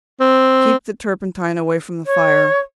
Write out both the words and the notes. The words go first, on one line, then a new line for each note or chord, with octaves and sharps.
Keep the turpentine away from the fire.
C4
C#5